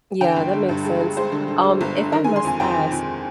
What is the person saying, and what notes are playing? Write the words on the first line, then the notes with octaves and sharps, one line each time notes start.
Yeah, that makes sense. Um, if I must ask,
D3 G5
G1
D3
G2
G#3
G#3
G#3 C5
D3
D3
G#3
G1
D3
D#3 A#4
G#5
G#3
C6
F2 G#5
F2 G5
D#3
F2